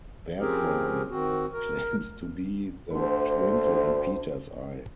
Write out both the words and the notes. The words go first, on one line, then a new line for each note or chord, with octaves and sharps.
Bertram claims to be the twinkle in Peter's eye.
F3 C4 C#4 G4 G#4 A#4
D#3 C4 F#4
A#4
D2 C5